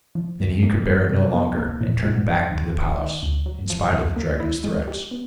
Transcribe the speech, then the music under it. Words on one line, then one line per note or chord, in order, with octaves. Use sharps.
Then he could bear it no longer and turned back to the palace, in spite of the dragon's threats.
F3
D#2
A#3
G3
C3
B3
A#3
A#2
A#2
F#3
D#2
D#2
D#3
D2
F#3
F3
F2
A#3
E4
G#3
G4
B3